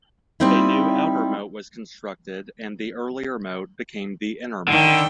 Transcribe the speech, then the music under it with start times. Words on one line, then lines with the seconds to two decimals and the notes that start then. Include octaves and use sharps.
A new outer moat was constructed, and the earlier moat became the inner moat.
0.40 G3 A#3 C4 D#4 E4
4.68 D3 D#3 G5